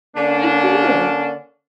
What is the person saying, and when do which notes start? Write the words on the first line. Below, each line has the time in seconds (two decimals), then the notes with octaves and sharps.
Good for you!
0.17 D3 A#3 C#4 D4